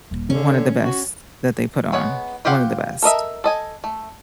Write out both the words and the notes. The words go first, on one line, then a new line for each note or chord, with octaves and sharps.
one of the best that they put on. One of the best.
D#1
D3 D#3 C#4
F#4
G#3 B3 C#5 F#5
F4 G4 C5 F5 F#5
A4 A#4 D#5 E5
A4 D#5 G#5
A3